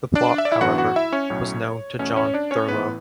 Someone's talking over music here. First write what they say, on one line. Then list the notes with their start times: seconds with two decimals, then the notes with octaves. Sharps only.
The plot, however, was known to John Thurloe.
0.15 D4 D5
0.38 E5
0.45 D5
0.52 E4 E5
0.61 G1 F#2 E3 B3 D4 F#4 F#5
0.78 F#4 F#5
0.96 E4 E5
1.12 C#4 C#5
1.30 B1 A2 F#3 C#4
1.99 E2 B2 A3 C#4 C#5
2.16 C#4 C#5
2.34 D4 D5
2.51 C#4 C#5
2.68 A1 A2 E3 B3 B4